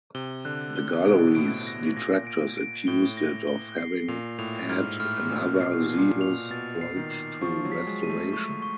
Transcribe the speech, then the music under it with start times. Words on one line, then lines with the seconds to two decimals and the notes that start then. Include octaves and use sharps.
The Gallery's detractors accused it of having had an over-zealous approach to restoration.
0.15 C3 G7
0.45 D3 F#6
0.76 G7
1.06 B2 D7
1.35 A2 D7
1.67 A#6
1.97 A#2 A#6
2.27 D7
2.58 D7
2.87 A2 G7
3.17 A#6
3.47 G7
3.78 C7
4.08 A#2 F7
4.39 A2 F7
4.69 G#2 F6
5.00 A2 F6
5.29 A#2 F6
5.38 B2
5.46 A#2
5.56 B2
5.61 A#2 C7
5.73 B2
5.81 A#2
5.89 B2 C7
5.97 A#2
6.21 F7
6.50 B2 A6
6.81 C7
6.96 D#3
7.11 C7
7.41 F3 C#6
7.65 F#3
7.72 B6
7.87 G#3
8.03 D#7
8.10 A3
8.33 C#6
8.62 C#6